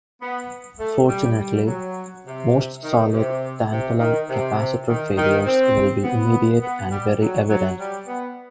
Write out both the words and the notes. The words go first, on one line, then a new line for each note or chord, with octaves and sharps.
Fortunately, most solid tantalum capacitor failures will be immediate and very evident.
B3
A3
G3
G3
F#3
C3
D#3
C3
C3
D#3
C3
D#3
D#3
C4
B3
B3
G3
F#3
F#3
G3
B3